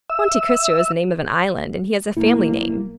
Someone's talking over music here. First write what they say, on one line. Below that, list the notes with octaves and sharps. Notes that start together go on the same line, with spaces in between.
"Monte Cristo is the name of an island, and he has a family name."
E5 E6
B1 A#3 E4